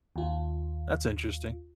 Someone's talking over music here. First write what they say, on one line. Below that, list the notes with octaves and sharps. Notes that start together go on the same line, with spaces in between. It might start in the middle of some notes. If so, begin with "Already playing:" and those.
That's interesting.
D#2 F4